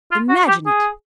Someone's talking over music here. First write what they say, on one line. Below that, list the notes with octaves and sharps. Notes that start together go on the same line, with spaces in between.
Imagine it!
F4
F#4
G4
G#4